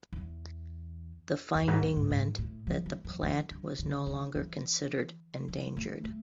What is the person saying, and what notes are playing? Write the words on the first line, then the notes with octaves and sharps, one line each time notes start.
The finding meant that the plant was no longer considered endangered.
E2
E2
G#2
F2
G#2
G#2
A2
F3
E3
F3
E3
D3
D3
D3
E3
F3
A3
A3